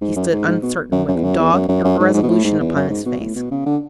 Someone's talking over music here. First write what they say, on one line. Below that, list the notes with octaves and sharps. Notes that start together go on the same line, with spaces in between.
He stood uncertain, with dogged irresolution upon his face.
G#2
F#2
G#2
G#2
B2
F#2
F#2
E2
F#2
E2
F#2
F#2
F#2
G#2
G#2
B2
A2
G#2
E2
F#2
G#2
B2
A2
B2
C#3
D3